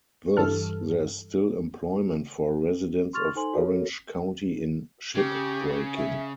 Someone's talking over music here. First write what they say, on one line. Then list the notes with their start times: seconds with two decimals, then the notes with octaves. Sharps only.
Thus, there is still employment for residents of Orange County in shipbreaking.
0.37 G2 E3 A4 F6
3.13 C6 C#6 F6 A6 F7
3.35 D#4 A4 C5 G#5 C6 F#7
3.53 F#4 A4 A#4 C#5 F5
5.15 C#3 G4
5.96 E5